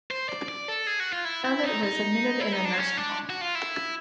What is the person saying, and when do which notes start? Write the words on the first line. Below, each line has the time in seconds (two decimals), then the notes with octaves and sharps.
Charlotte was admitted in a nursing home.
0.11 C5
0.29 D5
0.48 D5
0.68 A4
0.87 G#4
1.00 F#4
1.13 F4
1.25 E4
1.45 E4
1.64 D#4
1.83 D#4
2.40 E4
2.53 D#4
2.65 D4
2.73 C4
2.78 C#4
2.97 D4
3.30 F#4
3.41 F4
3.55 E4